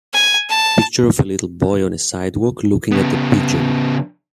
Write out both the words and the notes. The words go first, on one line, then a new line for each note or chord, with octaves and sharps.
Picture of a little boy on a sidewalk looking at a pigeon.
G#5
A5
C#3 B3